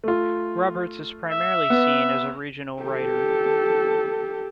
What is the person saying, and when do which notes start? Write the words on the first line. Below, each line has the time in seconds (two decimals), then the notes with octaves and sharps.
Roberts is primarily seen as a regional writer.
0.04 A3 F4
1.31 E5
1.70 B3 B4
2.83 G4 A4